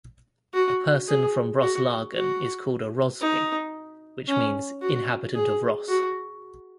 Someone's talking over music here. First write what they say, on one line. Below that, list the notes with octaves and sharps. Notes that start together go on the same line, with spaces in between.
A person from Roslagen is called a "Rospigg" which means "inhabitant of Ros".
F#4
G#4
F#4
F#4
D#4
C#4
F#4
G#4
F#4